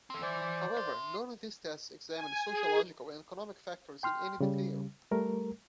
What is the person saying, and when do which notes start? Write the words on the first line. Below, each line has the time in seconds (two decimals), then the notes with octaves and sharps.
However, none of these tests examined sociological and economic factors in any detail.
0.10 C4 A4
0.22 E3 C5 D5
0.77 E5 C6
2.09 G#5
2.44 G#4
4.03 G5 C6 F6
4.40 C#3 G3
5.12 G3 A3 A#4